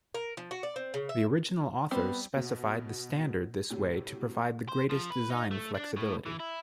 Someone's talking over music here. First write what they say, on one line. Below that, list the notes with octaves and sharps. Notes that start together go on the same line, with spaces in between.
The original authors specified the standard this way to provide the greatest design flexibility.
A#4
F3
F#4
D5
C4
C#3
E5
G3 B3 C4 C5
B2
A2 C3 F#3
C5
F3
B4
D#4
A3
D4
A2
E3
E4